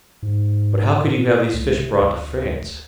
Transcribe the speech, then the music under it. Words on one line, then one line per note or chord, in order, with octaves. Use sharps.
"But how could you have these fish brought to France?"
G#2
A2
C#2
C3
D2